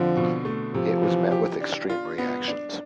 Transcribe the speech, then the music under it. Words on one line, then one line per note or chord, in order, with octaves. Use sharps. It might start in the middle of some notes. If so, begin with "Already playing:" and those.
It was met with extreme reactions.
Already playing: D3 F3 C4
B2
A3
C3 F3
E3
G4
D4
F4
B3
D4